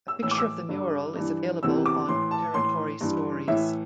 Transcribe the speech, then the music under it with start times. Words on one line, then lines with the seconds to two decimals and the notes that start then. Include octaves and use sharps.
A picture of the mural is available on Territory Stories.
0.08 E6
0.22 A2 E3 E6
0.31 D6
0.38 E6
0.69 G2 D3
1.16 G2 E3
1.63 E2 C3 E3 E6
1.86 D6
2.08 A2 E3 C6
2.31 A5
2.54 A2 E3 C6
3.01 G2 E3
3.48 A2 E3 E5